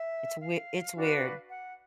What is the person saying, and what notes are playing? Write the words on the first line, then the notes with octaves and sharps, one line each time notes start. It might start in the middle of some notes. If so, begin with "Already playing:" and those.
It's wei it's weird.
Already playing: E5
F5
D4 F#4 B4
F#5